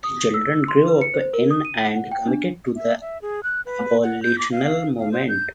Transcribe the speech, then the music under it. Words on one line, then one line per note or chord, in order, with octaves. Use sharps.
The children grew up in and committed to the abolitional movement.
D#6
E6
C6
B4
C#7
C5
A#4
D#6
D#7
F#5
G5
D4
E5
E5
G#4
F#6
B4
F#5
G6
D6
F5
F5
C5
G6